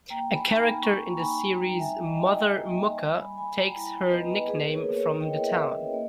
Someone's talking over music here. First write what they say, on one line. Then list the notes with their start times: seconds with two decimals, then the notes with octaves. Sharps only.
A character in the series, Mother Mucca, takes her nickname from the town.
0.10 A#3 G5 A#5
0.35 G#5 B5
0.47 D#4
0.83 A#3 A#5 C#6
1.19 D#4 G#5 B5
1.55 G3 G5 A#5
1.80 E5 G#5
1.92 G3
2.04 D#5 G5
2.29 D#4 D#5 G5
2.65 A#3
3.02 G3
3.20 G#5 B5
3.38 G3 G#5 B5
3.57 G5 A#5
3.75 E4
4.11 B3 B4 D#5
4.47 A#3 G#4 B4
4.72 A#4 C#5
4.84 A#3
4.96 A#4 C#5
5.20 E4 D#5 G5
5.45 C#5 E5
5.57 C#4
5.69 B4 D#5
5.93 A#3 D#5